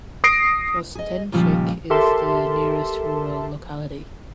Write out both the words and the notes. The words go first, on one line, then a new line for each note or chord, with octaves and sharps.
Trostenchik is the nearest rural locality.
D#6 A#6 C7 D7
G#4 D#5
D#2 A#2 C#3 F3 G3 G#3
G4 A4 A#4 E5 A5 C6